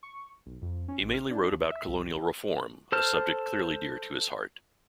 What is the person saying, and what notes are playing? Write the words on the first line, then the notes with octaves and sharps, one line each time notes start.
He mainly wrote about colonial reform, a subject clearly dear to his heart.
C#6
B1
F2
C#4
A1
F6
D4
D#2
E5
C2
A4 C5 A5 F6